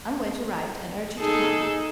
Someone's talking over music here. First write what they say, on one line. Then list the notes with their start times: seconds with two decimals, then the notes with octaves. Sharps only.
I'm going to write and urge her to come.
1.19 D#4 G#4 A4